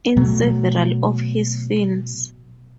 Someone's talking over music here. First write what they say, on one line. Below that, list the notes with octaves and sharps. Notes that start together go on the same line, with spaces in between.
In several of his films.
B2 F#3 A3